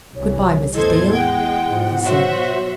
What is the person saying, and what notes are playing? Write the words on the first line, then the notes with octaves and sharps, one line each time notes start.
"Good-by, Mrs. Dale," he said.
C2 E3 C#5
E2 A2 E4 A4 C5 D#5 G#6
G#3 F#5 G5
G#2 B2 F3
B2 F#3 F#4 C5 C#5 E5